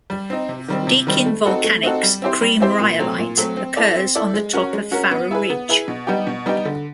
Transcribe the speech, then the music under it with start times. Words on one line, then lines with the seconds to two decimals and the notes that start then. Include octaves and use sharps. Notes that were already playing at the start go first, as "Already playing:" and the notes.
Deakin Volcanics cream rhyolite occurs on the top of Farrer Ridge.
0.10 G3
0.30 C4 D#4
0.49 C3
0.68 D#3 G3 C4
0.87 C3
1.07 D#3 G3 C4
1.26 A3
1.46 C4 D#4 F#4 A4
1.64 A3
1.83 C4 D#4 F#4 A4
2.03 G3
2.22 C4 E4 G4 C5
2.42 G3
2.60 C4 E4 G4 C5
2.80 A#2
2.99 F#3 A3 C4
3.18 A#2
3.37 F#3 A3 C4
3.57 C4
3.76 E4 A4 D5
3.96 C4
4.15 E4 A4 D5
4.34 G#3
4.53 C#4 F#4 A#4
4.73 G#3
4.91 C#4 F#4 A#4
5.11 B3
5.31 E4 G#4 B4
5.50 B3
5.69 E4 G#4 B4
5.88 B2
6.07 G3 B3 D#4 G4
6.27 B2
6.46 G3 B3 D#4 G4
6.65 D3